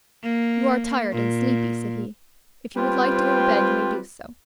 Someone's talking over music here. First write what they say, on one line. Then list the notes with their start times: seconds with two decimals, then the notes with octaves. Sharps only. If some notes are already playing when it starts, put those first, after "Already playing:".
"You are tired and sleepy," said he; "if you would like to go to bed you may do so."
0.23 A#3
1.13 A#2
2.77 G3 C4 F4 B4 C5 G5